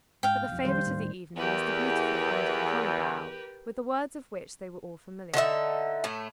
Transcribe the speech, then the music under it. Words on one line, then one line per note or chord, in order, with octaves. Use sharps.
But the favourite of the evening was the beautiful "Under the Holly Bough," with the words of which they were all familiar.
G#2 F5 G5
B1 F2
D#3 G3 C5
A1 D#2 A2
E2 G4 A#4 B4
D3 D#4 F4 E5
A2 A3